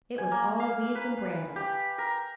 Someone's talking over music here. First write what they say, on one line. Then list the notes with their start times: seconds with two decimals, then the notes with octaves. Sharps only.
It was all weeds and brambles.
0.18 G#5
0.31 A#3
0.60 F5
0.95 B4
1.56 G4
1.98 A#4